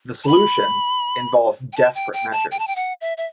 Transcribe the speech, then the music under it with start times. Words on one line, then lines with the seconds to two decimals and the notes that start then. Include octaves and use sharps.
The solution involves desperate measures.
0.24 A5
0.27 B5
1.73 G5
1.77 A5
1.95 G5
2.13 G5
2.32 A5
2.51 G5
2.59 A5
2.67 G5
2.76 F#5
3.01 E5
3.17 E5